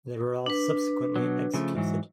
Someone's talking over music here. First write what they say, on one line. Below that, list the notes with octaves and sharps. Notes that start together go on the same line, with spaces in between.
They were all subsequently executed.
D4 B4
B2 F#3
C#3 F3 A3
G#2 E3 F#3